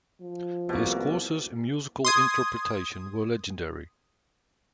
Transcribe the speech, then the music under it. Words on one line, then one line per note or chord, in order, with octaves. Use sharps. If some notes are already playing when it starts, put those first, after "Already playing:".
His courses in musical interpretation were legendary.
F3
C2 B2 A#3
C6 D#6 G#6